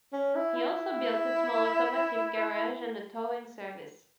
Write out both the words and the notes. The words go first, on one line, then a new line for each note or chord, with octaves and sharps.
He also built a small automotive garage and a towing service.
C#4
E4
E4